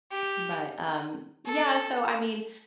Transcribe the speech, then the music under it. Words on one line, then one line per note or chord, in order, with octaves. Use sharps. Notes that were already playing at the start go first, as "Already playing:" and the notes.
But, um, yeah, so, I mean,
G4
A4